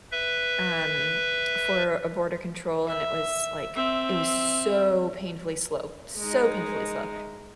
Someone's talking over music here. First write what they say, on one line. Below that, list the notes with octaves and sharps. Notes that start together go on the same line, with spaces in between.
um for a border control, and it was like it was so painfully slow, so painfully slow,
B4 E5
E5
C4 E5
G#3 D#4